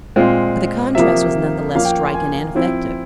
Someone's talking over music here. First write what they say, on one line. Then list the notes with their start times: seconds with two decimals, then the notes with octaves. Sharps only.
But the contrast was none the less striking and effective.
0.16 A#2 G#3 C4 F4
0.95 C3 F3 A#3 E5
1.75 F3 A#3 C#4 F5
1.85 G5
2.05 C6
2.14 G#5
2.55 F3 C4 E4